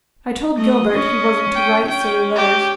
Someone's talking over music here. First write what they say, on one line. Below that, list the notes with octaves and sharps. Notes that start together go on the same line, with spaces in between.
I told Gilbert he wasn't to write silly letters.
A3 D#5
C#4
G5
C#4 G5
G4